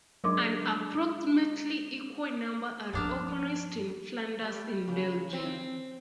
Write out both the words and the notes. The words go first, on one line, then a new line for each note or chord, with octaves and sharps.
An approximately equal number are organised in Flanders in Belgium.
F#3 G#3 D4 G#4 A#4 D5 C6 D6
G2 F3 B3 D4 A#4
G3
C#3
C4